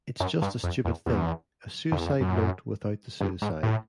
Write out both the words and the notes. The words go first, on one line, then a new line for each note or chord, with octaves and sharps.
It's just a stupid thing-a suicide note without the suicide.
F#2
G2
F2
E2
E2
F2
E2
F2
F#2
G2
G#2
A2